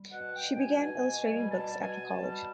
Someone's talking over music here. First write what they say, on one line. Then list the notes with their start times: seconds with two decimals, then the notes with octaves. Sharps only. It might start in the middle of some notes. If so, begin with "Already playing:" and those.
She began illustrating books after college.
Already playing: G3
0.12 B2 F#5
0.35 G3 G5
0.58 B2 G#5
0.81 B2
1.04 B2
1.27 G3
1.50 B2 A5
1.73 B2
1.81 G#5
1.96 B2
2.11 A5
2.19 G3